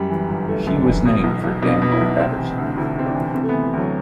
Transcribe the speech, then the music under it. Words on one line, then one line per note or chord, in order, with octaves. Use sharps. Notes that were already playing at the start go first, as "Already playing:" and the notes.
She was named for Daniel Patterson.
Already playing: F#2 G3
E3
G1
G1 A3
F#2
D4
E3
B2
B1
B1
B2 D4
B2
E4
B1
C3 C4
E3
D2
D2 E4
C3 C4
D4
E3
C3 C4
A3
E3 B3
E3
D2 F#3